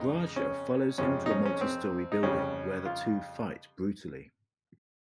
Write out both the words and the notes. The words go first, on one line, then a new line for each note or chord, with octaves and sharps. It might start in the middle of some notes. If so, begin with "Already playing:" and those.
Raja follows him to a multi-story building where the two fight brutally.
Already playing: F2 C#3 G#3 D#4
C#4
F2 C3 F3 G#3 C#4
D#4
C#4
C#4
C4
D#4
F2 C#3 G3 C#4
F4